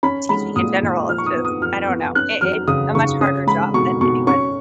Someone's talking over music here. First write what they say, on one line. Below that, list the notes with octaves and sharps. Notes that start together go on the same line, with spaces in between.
teaching in general is just, I don't know, it it's a much harder job than anyone
C#4 B5
G#3 B5
A#2 D#6
A#2
F3 F6
C#6
D#6
B3
D#6
F3 F6
B3
C#4 F#6
F#3 F6
C#3 D#6
C#3 C#6
C#4 D#6
G#3 B5
B2 C#6
B2 C#6
C#4 C#6